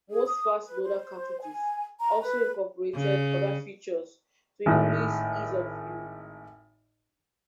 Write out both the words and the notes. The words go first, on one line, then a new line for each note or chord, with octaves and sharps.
Most fast loader cartridges also incorporated other features to increase ease of use.
G#4
D#6
B4
C5
G#5
A#5
B4
C#3
G#1 A2